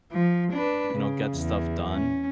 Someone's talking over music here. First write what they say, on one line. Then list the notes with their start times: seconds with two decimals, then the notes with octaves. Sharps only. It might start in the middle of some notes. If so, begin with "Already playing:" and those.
you know, get stuff done
0.12 F3
0.53 D4 B4
0.94 C#3
1.36 E2
1.90 C#4